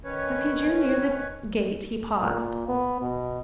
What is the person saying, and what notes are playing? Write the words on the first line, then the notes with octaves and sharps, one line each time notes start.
As he drew near the gate he paused.
D#3 C#4 B4 C#5
A#2
B3
B2